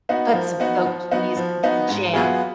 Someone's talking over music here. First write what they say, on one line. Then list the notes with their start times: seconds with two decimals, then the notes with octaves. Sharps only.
Put some goat cheese and jam.
0.09 B3 D#4 F#4
0.34 F3
0.60 B3 D#4 F#4
0.86 F3
1.11 B3 D#4 F#4
1.37 F3
1.63 B3 D#4 F#4
1.88 G#2
2.14 F#3 B3 F4 G#4